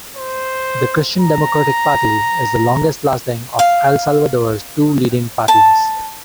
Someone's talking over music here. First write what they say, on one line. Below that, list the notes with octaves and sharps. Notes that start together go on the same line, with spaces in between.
The Christian Democratic Party is the longest lasting of El Salvador's two leading parties.
C5
A#5
F5
A5